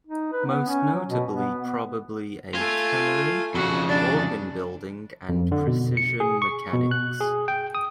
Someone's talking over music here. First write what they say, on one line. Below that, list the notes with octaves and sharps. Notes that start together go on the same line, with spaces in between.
Most notably probably a tannery, organ-building and precision mechanics.
D#4
B4
B3
C#4
F#3
B2
B3
B3
A3 F4 G#5
F2 C#3 F#4
D4 D5
F2
D3
B2
C#7
G#4
C#6
B2
F#6
G#4
G5
D#6